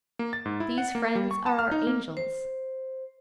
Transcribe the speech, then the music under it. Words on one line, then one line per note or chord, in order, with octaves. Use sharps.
These friends are our angels.
A#3
A6
G#2
E4
F#5
A#3
G3
C#6
A5
F6
D#4
A#3
C5